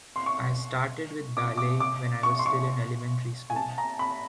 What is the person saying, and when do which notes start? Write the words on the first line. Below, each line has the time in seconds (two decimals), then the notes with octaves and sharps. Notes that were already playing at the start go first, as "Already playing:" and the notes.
I started with ballet when I was still in elementary school.
0.16 C6
0.26 C#6
1.37 D6
1.58 D6
1.80 D6
2.23 C#6
2.39 C6
2.46 C#6
3.50 G#5
3.56 A5
3.78 A#5
3.99 B5